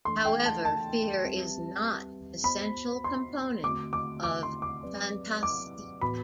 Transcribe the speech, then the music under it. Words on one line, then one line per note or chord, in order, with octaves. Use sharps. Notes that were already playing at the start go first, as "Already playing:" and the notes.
However, fear is not an essential component of "fantastique".
E3 A3 D4 A4 C6
G5
A5
A5
G3 C4 G4 B4 E5
B3 F#4 C5 B5
C6
D3 A3 C4 F#4 D6
D6
D6
C6
D6
F#3 C4 G4 B4 D5
D6
A2 E3 B3 F#4 B4 B5